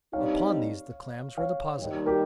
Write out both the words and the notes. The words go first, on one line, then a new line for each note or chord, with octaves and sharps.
Upon these the clams were deposited.
G2 G3 C4 D#4 C#5 F5
C#5 F5
D#2 D#3 G3
G4 A#4